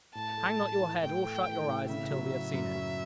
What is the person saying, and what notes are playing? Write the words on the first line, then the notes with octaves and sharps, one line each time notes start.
Hang not your head or shut your eyes until we have seen it.
A2 A5
A3
A2
E3
A2 G5
A3
E3
A2
C#3 E5
F#3
F#3
F#2
F#3